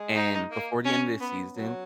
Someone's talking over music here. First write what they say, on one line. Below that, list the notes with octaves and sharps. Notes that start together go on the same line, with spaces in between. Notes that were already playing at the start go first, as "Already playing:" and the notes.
and before the end of the season,
Already playing: G#3
D#4
A#3
C#4
B3
F#3